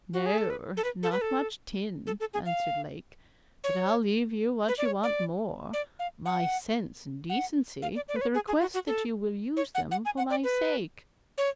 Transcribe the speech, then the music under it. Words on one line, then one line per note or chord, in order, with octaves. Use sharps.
'No, not much tin,' answered Lake; 'but I'll leave you what you want more, my sense and decency, with a request that you will use them for my sake.'
F#4
G#4
A4
B4
A4
B4
A4
B4
A4
A4
A4
G#4
F5
C#5
B4
D5
C#5
D5
D5
F5
F#5
F#5
F5
D5
D5
B4
C#5
G#4
G#4
F#4
F#4
A4
C#5
F#5
F#5
G#5
F#5
D5
B4
C#5